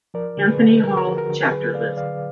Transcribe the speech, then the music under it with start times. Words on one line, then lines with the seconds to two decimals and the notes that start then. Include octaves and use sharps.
Anthony Hall chapter list.
0.14 F3 A#4 D5
0.37 D3
0.48 G#4 B4
0.60 D3
0.83 F3 A#4
0.89 G#4
0.97 F#4 A#4
1.06 F3
1.17 F#4 A#4
1.29 D3
1.51 F#3 G#4 B4
1.74 D3 D5 F5
1.97 D3 D5 F5